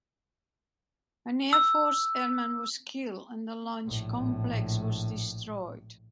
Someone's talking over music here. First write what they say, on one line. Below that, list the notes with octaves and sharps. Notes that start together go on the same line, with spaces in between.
An Air Force airman was killed and the launch complex was destroyed.
E6
A#1 A2